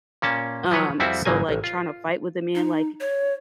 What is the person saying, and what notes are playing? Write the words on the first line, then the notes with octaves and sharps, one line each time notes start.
um, so, like, tryna to fight with a man, like,
A#2 A#3 C#4 A5
F3 F#3 B4 C#5
F2 G3 C4 E4 F#4 E5
G#1 C#3 F#3 A#3 G#5
A1
F4
D#4
C#5